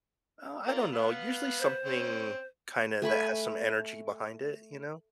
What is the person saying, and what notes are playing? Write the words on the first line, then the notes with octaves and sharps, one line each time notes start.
uh, I don't know, usually, something kinda that has some energy behind it, you know?
F4 A#4 D5
B3 B4 F5
C5
C4 C#4
A3 G#5 B5 C#6